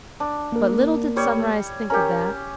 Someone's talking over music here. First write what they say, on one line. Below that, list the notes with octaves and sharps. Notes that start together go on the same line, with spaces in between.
But little did Sunrise think of that.
D4
A#3 A#4
G3 C#5
C#4 G4 A#4 A#5